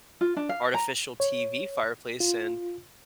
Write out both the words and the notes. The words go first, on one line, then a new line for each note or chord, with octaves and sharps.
artificial, TV fireplace and
F4
D4
F5
A#5
C#5
F4